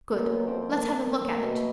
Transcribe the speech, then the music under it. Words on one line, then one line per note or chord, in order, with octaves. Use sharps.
"Good; let's have a look at it."
B3
F#2 A#3
B3
F2 C4
C4
A3
A#3
A#3
A3
A#3
B2 A3
A#3